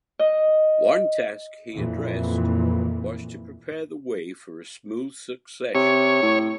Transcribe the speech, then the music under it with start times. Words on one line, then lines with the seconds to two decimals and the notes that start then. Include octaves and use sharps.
One task he addressed was to prepare the way for a smooth succession.
0.19 D#5
1.74 F2 A#2 E3
5.75 C3 C#5
6.23 A2